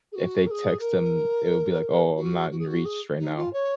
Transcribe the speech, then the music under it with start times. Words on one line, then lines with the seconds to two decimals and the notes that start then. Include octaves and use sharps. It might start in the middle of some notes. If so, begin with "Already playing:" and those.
if they text them, it will be like, "Oh, I'm not in reach right now,"
0.12 G#4
0.15 F#4
0.46 A#4
0.51 G#4
0.80 A#4
2.16 F#4
2.51 F#4
2.59 G#4
2.67 F#4
2.85 G#4
3.19 D#4
3.36 F4
3.53 C#5